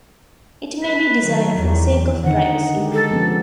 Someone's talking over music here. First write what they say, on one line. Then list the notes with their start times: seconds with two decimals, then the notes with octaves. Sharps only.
It may be desired for the sake of privacy.
0.84 B4
1.23 D#3 F#3
1.57 E2
2.24 D3 D#3 D#4 F#5
2.75 G#3 G4
2.93 A4
3.11 F3 B3 C#4